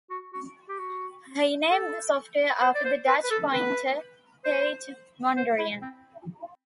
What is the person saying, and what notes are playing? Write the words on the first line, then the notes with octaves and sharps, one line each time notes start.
He named the software after the Dutch painter Piet Mondrian.
F#4
F#4
G4
F#4
A4
C5
D5
C5
B4
B4
A4
B4
C5
C5
E4
C4